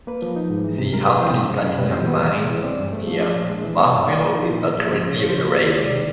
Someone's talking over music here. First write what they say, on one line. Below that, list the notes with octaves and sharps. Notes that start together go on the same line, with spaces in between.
The Hartley Platinum Mine near Makwiro is not currently operating.
A#3 B4
F3
D#4
G#2
E3
C3
G#3 A#4
F2 B4
E3 C5
C#3
F#2
F#2
G3 B4
A#2 C5
B3 C#5
C2
G#3
E3
C4 D5
G2
A3
F3
D4
A#2
G#3
E3
B3 C#5
G2
A#3 D5
F3
D#4
A#2
A#3 D#5
F3
C#3
C#3
F3 C#5
C5
C#3 C#5
A#3
D#2
G#3 D5
D#3